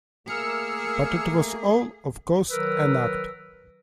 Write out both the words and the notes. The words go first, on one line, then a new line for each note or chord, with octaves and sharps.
But it was all, of course, an act.
A3 A#3 G#4 A#4 A#5 E6 F6 C#7
D#3 F#3 A#4 B4 E6